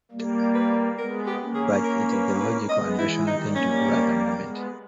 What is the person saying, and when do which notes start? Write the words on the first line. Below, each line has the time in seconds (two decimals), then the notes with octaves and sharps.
But it is the logical and rational thing to do at that moment.
0.11 G3 A#3
0.55 B4
0.98 G#3 B3 A#4
1.27 G4
1.41 A#3 C#4
1.55 G#4
1.84 A#4
2.12 B4
2.41 B4
2.69 G#3 B3 D#5
2.98 E3 G#3 E4
3.27 D#3 G3 D#4
3.56 G3 A#3 C#4
4.42 G#3 B3